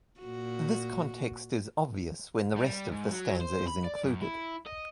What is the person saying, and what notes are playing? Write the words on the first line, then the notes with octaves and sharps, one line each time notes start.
This context is obvious when the rest of the stanza is included.
A#2 F#4
G3
G#2
F#3
C5
B5
D5
F#2
E4
D#5